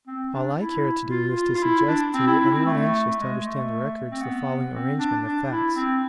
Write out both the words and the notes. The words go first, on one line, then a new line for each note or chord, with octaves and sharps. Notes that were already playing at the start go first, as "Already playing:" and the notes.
All I care to do is to suggest to any one anxious to understand the records the following arrangement of facts.
C4
D4
E4
F4
F4
F4
E4
D4
C4
E4
E4
C4
A3
G#3
A3
C4
B3
C4
D4
D4
E4
C4